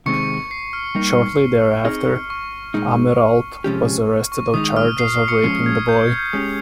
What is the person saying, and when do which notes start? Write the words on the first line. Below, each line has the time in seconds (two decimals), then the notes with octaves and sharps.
Shortly thereafter, Amirault was arrested on charges of raping the boy.
0.06 C3 D#3 G#3 C4 D#4 C#6 C#7
0.51 C7
0.73 F6
0.95 G3 A#3 D#4
1.85 C4 D#4 G#4 D#5 F6
2.30 C#6
2.74 A#2 G#3 D#4
3.64 C3 F3 G#3 C#4 G4
4.32 C#6
4.54 D#3 G#3 D#4 D#6
4.77 F6
4.98 C7
5.14 C7
5.28 C#6 C#7
5.44 F3 G#3 C#4 G#4 C7
5.66 G#6
5.89 G6
6.18 G6
6.33 G#3 C#4 G4 D#6